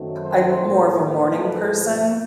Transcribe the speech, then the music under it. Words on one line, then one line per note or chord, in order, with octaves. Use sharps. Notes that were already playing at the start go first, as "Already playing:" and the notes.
I'm more of a morning person
Already playing: F#2 D#3 F#3 A3 C4
C5
A2 F3 A#3
B4
G#2 F3 A3 C4